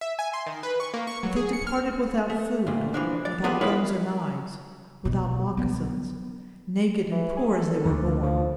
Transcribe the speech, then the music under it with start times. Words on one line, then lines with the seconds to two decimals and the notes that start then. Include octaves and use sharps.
But they departed without food, without guns or knives, without moccasins, naked and poor as they were born.
0.01 E5
0.19 G#5
0.34 C6
0.46 D#3
0.63 B4
0.80 C#6
0.94 A#3
1.07 C#6
1.23 F#3
1.36 G#4
1.53 C#7
1.67 F6
2.30 A3
2.67 D2 G2 A#2
2.94 C2 E3 F3 D4
3.25 D5
3.44 B3 F4 G4 G#4 B4
3.61 E4 F4 G#4 A#4 B4 C#5
5.05 B2
5.57 F#3 B3
7.11 E3
7.37 G#4
7.59 A4
7.85 D2
8.23 F3